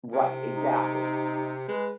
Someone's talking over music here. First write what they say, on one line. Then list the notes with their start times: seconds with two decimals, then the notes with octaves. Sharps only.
Right, exactly.
0.13 C3
0.54 D#4
1.68 G#3 B4